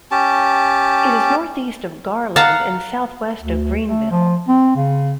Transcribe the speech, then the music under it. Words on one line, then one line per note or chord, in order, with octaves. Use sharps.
It is northeast of Garland and southwest of Greenville.
C#4 G4 A5
F5 F#5 A5 A#5
D2
A3
F3
C4
C#3